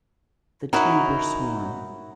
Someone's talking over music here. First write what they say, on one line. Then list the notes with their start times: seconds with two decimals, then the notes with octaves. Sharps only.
The two were sworn.
0.73 C#4 D#4 E4 F#4 A#4